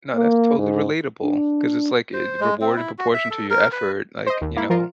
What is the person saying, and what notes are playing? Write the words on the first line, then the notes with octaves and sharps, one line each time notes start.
No, that's totally relatable 'cause it's like, eh, a reward in proportion to your effort, like, you know?
A#3
G#2
D4
C5
G#3
C4
E4
F#4
E5
A4
A#4
B4
C5 D#5
D#2
A#3 E4
F3 F4 A#4